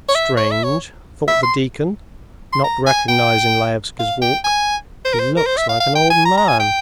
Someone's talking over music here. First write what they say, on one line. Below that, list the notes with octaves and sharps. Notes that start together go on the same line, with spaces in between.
"Strange," thought the deacon, not recognising Laevsky's walk; "he looks like an old man. . . ."
C#5
E5
C#5
E5
C#5
E5
C6
C6
A#5
G#5
G5
F5
G5
G#5
C5
A#4
C5
A#4
C5
E5
F5
F5
G5
G#5
A#5
A#5
G#5
G5